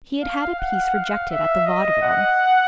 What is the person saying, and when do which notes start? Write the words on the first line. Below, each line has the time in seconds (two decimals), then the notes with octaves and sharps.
He had had a piece rejected at the Vaudeville.
0.23 F5
0.59 F#5
0.95 F5
1.31 E5
1.66 D#5
2.02 F#5